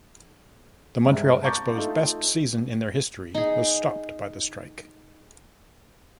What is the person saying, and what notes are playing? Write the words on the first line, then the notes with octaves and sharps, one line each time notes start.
The Montreal Expos' best season in their history was stopped by the strike.
G2 C3 G#3
A5 A#5 C#6 D6 G6 A6
A3 D#4 F4
D#4 G#4